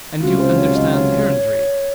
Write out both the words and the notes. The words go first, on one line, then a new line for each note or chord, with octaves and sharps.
"And you understand heraldry?"
C#2 C3 F#3 C#4 F4 F#4
C5
C#5
D#5
C#5